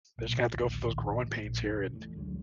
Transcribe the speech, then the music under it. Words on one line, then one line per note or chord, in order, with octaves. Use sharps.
I just gonna have to go through those growing pains here, and,
B1 A#2
A#1 D#2 A2
A#1
E1
E3 A3
D2 F#3 G#3